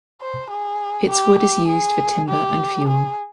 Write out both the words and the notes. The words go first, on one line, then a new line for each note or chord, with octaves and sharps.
Its wood is used for timber and fuel.
C5
G#4
G4
G4
G#4
G4
G#4